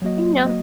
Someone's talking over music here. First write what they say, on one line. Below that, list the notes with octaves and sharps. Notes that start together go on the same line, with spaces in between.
You know
F#3 A#3 F#4 D#5
F#3 A#3 F#4 D#5